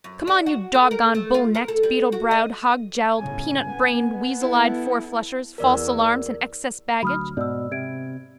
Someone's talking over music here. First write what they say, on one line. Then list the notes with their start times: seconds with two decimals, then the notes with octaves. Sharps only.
Come on, you dog-gone, bullnecked, beetlebrowed, hogjowled, peanutbrained, weaseleyed fourflushers, false alarms and excess baggage!
0.04 F#2
0.27 D4
0.46 F#4
0.74 A3
0.91 A#4
1.15 A3
1.34 F4
1.55 A#4
1.68 A4
1.83 G3
2.12 F#4
2.31 D#5
3.19 G1 A2 C#3 G#5
3.68 B3
4.41 E4 A4
5.58 E2 A#4 D5 E6
7.03 D2 F#3 B5 D#6 F6
7.37 G#2 B2 D5 E6
7.72 C3 G#6 D7